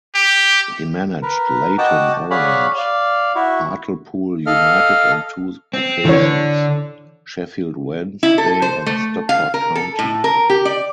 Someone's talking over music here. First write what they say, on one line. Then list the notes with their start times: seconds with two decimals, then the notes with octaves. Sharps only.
He managed Leyton Orient, Hartlepool United on two occasions, Sheffield Wednesday and Stockport County.
0.15 G4
1.22 A#4 B4
1.78 F#4 D#5 F#5 G5 A5 D6
2.31 G#4 C#5 D5 F5 F#5 B5
2.77 D5 F5
3.35 E4 F#4
4.46 A4 D#5 F5 F6
5.73 C4
6.05 D3 E3 C#5
8.23 E4
8.38 A4
8.62 C5
8.86 A3
9.29 F5
9.54 A#4
9.75 A4
9.99 A2
10.24 A#4
10.50 G4
10.65 D5